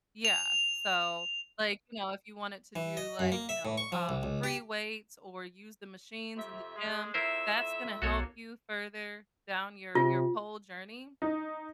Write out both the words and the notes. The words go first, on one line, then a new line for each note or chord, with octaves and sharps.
Yeah. So, like, you know, if you wanted to do, like, you know, uh, free weights or use the machines in the gym, that's gonna help you further down your your pole journey.
F7
E3
D#5
F#2
A#3
E5
A2
C#6
F3
C2
C#2
G4
F2 C3 E5
G#3
F2 E4 A#4 C5 E5 E7
B1 A#3 B3 F#4 A4 C#5
C3 F4
D#4